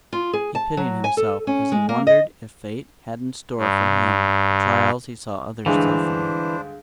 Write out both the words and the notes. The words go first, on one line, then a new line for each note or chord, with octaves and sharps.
He pitied himself as he wondered if fate had in store for him the trials he saw others suffering.
F4
G#4
A5
F#3
G#5
A4
C#4
G#3
A#3
D#5
G2
D2 G2 E3 G#3 D4 G#4 C5 F5